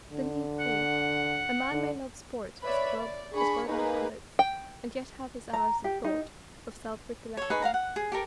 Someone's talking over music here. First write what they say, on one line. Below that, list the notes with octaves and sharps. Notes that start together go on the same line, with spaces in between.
Believe me!--a man may love sport, his club, his worldly habits, and yet have his hours of thought, of self-recollection.
D3
F#5
D3
B4 C#5 D5 E5 B5
D5
D4 G#4 B5 C#6
A#3 D#4 G#4 B4
G5
A#5
G4
D#4
A4 C#5
D#4 G#4 B4 C#6
F5 F#5 A#5
F#5
G#4
G4 A4 A#4